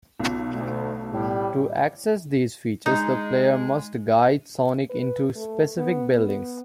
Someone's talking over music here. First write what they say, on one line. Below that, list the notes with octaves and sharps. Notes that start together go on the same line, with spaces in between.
To access these features, the player must guide Sonic into specific buildings.
B1 B2 F4
D2 A3
A2 G3
G#3 D#4
B4
A3
B3
B3